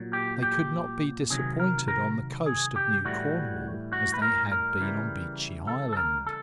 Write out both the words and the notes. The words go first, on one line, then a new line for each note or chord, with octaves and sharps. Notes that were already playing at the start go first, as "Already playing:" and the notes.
They could not be disappointed on the coast of New Cornwall as they had been on Beechey Island.
Already playing: A#2 F#3
G4
G4
C3 D#3 F#3 G#4
A#4
A#4
G#4
G4
A2 E3 G3 F#4
F#4
B4
A#4
A#4
C#3 E3 G3
A4
A4
A#4
A4